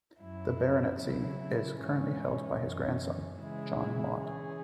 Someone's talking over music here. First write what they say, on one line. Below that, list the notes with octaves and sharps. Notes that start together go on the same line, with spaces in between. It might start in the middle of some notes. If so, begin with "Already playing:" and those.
The baronetcy is currently held by his grandson, John Mott.
F#2 F#3 E4
C#3 F#3 E4
G#2 E3 C#4
F#2 E3 C#4
C#3 E3 G#3 E4 G#4
E3 C#4 G#4